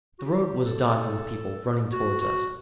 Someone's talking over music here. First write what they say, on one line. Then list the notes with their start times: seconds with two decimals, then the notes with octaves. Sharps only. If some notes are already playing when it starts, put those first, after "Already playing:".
The road was dotted with people running towards us.
0.19 F#4
0.24 G4
0.65 A4
1.92 F#4
2.21 F#4